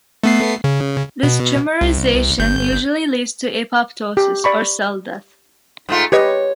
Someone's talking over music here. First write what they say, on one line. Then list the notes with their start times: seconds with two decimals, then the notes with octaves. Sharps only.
This trimerization usually leads to apoptosis, or cell death.
0.24 A3 B3 C7
0.64 C#3
1.23 B2
1.81 C2
2.39 G1 G6
4.17 G4
4.44 D5 B5 C#6
5.89 G#2 A3 F4
6.12 G4 B4 C#5 D#5